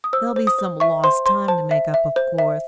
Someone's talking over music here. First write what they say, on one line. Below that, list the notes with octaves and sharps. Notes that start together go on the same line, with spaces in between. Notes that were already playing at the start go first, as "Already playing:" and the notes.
There'll be some lost time to make up, of course.
D#6
C5 E6
C5
D#6
C5
E5 C#6
C5 C6
C5 C6
C5 A5
E5
E5
C5
E5